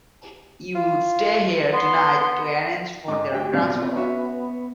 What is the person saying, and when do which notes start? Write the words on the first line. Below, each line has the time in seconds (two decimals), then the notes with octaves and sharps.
You will stay here tonight to arrange for their transfer?
0.75 F4
1.73 B3 C6
3.08 G#2 D#5 D6
3.32 D2 G4 G5
3.53 G#1 F#2 A#2 D5
3.76 B3 C4 F4
3.96 C#4 F#4 E5